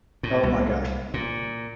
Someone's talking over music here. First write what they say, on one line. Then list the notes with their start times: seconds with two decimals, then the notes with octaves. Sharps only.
Oh, my gosh.
0.23 A2
0.43 C2
1.14 A#2